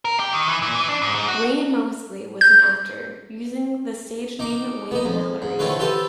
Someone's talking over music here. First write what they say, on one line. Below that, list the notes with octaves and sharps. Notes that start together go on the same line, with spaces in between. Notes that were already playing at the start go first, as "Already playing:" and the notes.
Wayne Moseley was an actor, using the stage name Wayne Mallory.
A#4
G4
D#3
E3
A#2
E3
D4
G#2
G#2
F#4
G6
D#4 D6
B3 D#4
F2
G#2
D3 A3 C4 C#4 F4 B4
F4 G4 A4 B4 C5